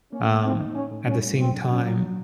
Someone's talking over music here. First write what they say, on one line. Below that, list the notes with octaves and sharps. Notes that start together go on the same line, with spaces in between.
um, at the same time,
A#3 C#4
A#3
C4 D#4
D#4
A2 C#4
A2
G3 C#4
A2
F#3 C4
D4
F#3 C#4
F#3